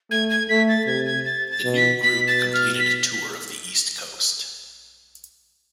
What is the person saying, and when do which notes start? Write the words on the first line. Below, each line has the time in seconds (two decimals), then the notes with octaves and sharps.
The new group completed a tour of the East Coast.
0.11 A3 G#6
0.30 G#6
0.49 A3 B6
0.68 A6
0.87 C3 G#6
1.06 G#6
1.25 A6
1.51 A6
1.64 B2
1.76 B6
2.02 B2 B6
2.28 A6
2.53 F6
2.79 B6